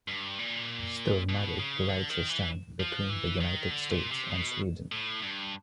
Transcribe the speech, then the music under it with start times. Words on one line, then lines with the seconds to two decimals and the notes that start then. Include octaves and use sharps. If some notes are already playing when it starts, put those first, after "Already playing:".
Stormare divides his time between the United States and Sweden.
0.08 G2
0.39 A#2
1.29 B2
1.59 C#3
1.89 D3
2.10 D#3
2.29 E3
2.80 F3
3.10 E3
3.41 D#3
3.70 D3
3.91 A#2
4.11 C3
4.31 B2
4.92 A2
5.22 G2